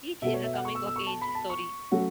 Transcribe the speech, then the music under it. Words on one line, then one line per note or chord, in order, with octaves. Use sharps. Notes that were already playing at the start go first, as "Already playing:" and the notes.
Each is a coming of age story.
B2 B3 F#4 A4 E5
C#5
E5
F#5
C#6
E6
E6
C#6
A5
B5
A5
C#6
F#3 A3 C#4 F#4